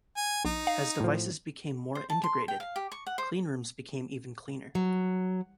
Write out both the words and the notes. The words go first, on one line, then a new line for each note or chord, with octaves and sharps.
As devices became more integrated, cleanrooms became even cleaner.
G#5
A#1 D#4
F5
A2 F3
C5
A5
C6
G5
F5
G4
C#6
F#5
C5
F#3